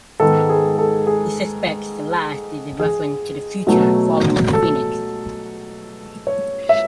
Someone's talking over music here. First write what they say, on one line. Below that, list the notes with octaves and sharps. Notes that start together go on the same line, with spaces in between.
He suspects the last is a reference to the "Future" volume of "Phoenix".
G#2 D#3 G#3 B3 A4
G#4
A4
G#4
G#4
B2 F#3 A3
A4
C#5
E5